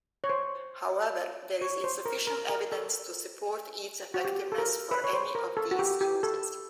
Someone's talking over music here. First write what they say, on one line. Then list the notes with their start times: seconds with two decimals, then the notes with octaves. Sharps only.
However, there is insufficient evidence to support its effectiveness for any of these uses.
0.24 C#5
0.30 C5
1.61 C#5
1.84 C5
2.05 A#4
2.27 A#4
2.49 A#4
2.72 A4
4.14 F#4
4.25 G4
4.52 A4
4.58 A#4
4.91 B4
5.04 C#5
5.13 C5
5.35 A#4
5.57 A4
5.71 F#4
5.79 G4
6.01 G4
6.23 A4